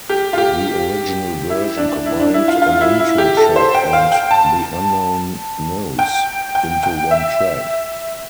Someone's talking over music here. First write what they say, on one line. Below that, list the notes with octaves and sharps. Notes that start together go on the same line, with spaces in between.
The original version combined an intro track and "The Unknown Knows" into one track.
G4
F4
G4
E4
D4
E4
D4
E4
F4
F4
E4
E4
G4
A4
C5
G5
F5
G5
A5
G5
G5
G5
E5